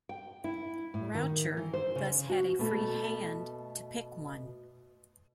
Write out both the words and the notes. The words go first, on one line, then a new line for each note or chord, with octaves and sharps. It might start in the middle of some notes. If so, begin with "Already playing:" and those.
Raucher thus had a free hand to pick one.
G5
E4
A2
D#3
E3
C5
C#3
F#4
B2 A3